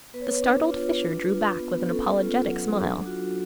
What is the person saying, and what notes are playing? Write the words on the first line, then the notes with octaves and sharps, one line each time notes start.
The startled Fisher drew back with an apologetic smile.
B3 B4
C#5
B4
D4
F4
D4
F4
B3
C#4 A4
F4
F#3
D4
F4 F#4